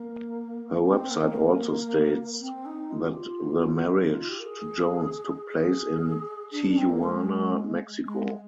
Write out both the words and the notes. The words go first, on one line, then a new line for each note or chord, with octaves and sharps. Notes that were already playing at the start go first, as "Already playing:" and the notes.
Her website also states that the marriage to Jones took place in Tijuana, Mexico.
Already playing: A#3
C4
A#3
G#3
A#3
C4
D#4
F4
G4
F4
D#4
F4
G4
A#4
G#4
G#4
D4
D4
C4
A#3
G#3
G#3